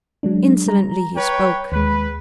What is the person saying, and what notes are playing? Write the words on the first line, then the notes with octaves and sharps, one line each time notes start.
Insolently he spoke.
F#3 G#3 D4
G3 A#5
B4 C#5 G5
D#2 G#3 B4